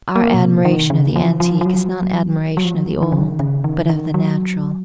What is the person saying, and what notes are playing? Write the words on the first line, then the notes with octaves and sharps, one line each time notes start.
Our admiration of the antique is not admiration of the old, but of the natural.
A#3
A#2
C3
D#3
C#3
F3
F3
F3
F#3
F#3
F3
D#3
C#3
D#3
C#3
D#3
D#3
F#3